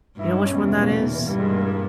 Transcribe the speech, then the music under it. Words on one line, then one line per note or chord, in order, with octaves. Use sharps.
You know which one that is?
G2 E4
D#4
C#4
E2 G3
B2
A#2
B2
D#3
E3
G2 G3
G#3
A#3
A#3